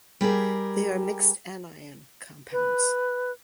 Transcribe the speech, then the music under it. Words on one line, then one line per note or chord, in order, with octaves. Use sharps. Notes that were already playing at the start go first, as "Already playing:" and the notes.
They are mixed anion compounds.
G3 G4 G#4 A#4
B4